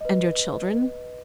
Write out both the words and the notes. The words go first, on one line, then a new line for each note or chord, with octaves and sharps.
"And your children?"
B4 D#5